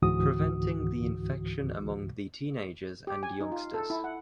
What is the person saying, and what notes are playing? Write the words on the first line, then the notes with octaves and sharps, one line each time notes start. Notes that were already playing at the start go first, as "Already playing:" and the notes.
Preventing the infection among the teenagers and youngsters.
C#2 G#2 D3 E3 F#4 D#6
G4
G#5
D#4
F4
A4
E4
F#5